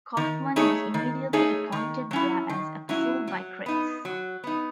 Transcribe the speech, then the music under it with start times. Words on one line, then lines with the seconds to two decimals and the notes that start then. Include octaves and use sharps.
Kofman was immediately appointed there as apostle by Krebs.
0.17 D#3
0.56 A3 D#4 G#4 C#5
0.94 D#3
1.33 A3 D#4 G#4 C#5
1.72 D#3
2.11 F#3 C#4 E4
2.49 D#3
2.89 F#3 C#4 E4
3.28 F#3
3.66 B3 D#4
4.05 F#3
4.44 B3 D#4